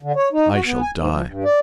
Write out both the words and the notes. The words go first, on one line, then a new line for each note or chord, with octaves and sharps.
I shall die!
D3
C#5
D#4
F#4
B3
G#5
G#2
F3
G2
D5